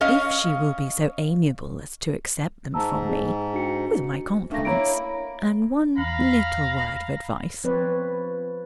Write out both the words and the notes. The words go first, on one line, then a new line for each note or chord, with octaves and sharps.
"If she will be so amiable as to accept them from me, with my compliments and one little word of advice...."
C#4 D#5 F5
G#2 A5 A#5 E6
G#4
D4 F#4 C#7
A3 A#3 D4 A#6
A#3 E4 C#5 A#5 D7
E2 F5 A#5 B5
F3 C4 B4 C#5 D5